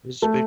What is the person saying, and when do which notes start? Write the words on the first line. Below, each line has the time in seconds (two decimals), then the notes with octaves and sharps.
It's be
0.22 A3